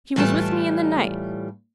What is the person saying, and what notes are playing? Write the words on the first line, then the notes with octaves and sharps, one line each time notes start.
She was with me in the night.
A2 E3 G3 A3 F4 A5